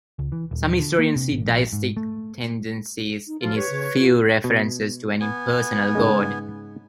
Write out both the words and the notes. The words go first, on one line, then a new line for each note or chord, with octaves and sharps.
Some historians see "deistic tendencies" in his few references to an impersonal God.
C#2
E3
D#1
D3
A#3
C3
G#1
A#1
G#2
A3
D#4
F3 F#3 F4 F#4
G4 B4 C#5
C#3
F4
B2
B3 G#5
G#2 C#3 G#3